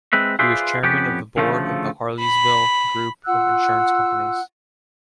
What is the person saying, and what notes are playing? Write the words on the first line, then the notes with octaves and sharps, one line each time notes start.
He was Chairman of the Board of the Harleysville Group of Insurance Companies.
G#3 C4 B4 E5
F4 G#4 B4 C5 D5 E5
F2 B3 C#4 G4
D2 C#3 F3 A3
B5
F4 F#5 E6 F#6